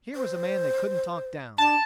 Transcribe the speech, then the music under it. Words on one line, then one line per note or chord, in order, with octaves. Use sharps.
Here was a man they couldn't talk down.
C5
D4 A5